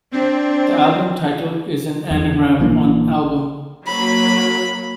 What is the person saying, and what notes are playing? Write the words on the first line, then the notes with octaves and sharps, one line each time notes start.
The album title is an anagram on "album".
C4 D4
E2
D3
A#1 E3 A#3 D4
F#3 A#3 B5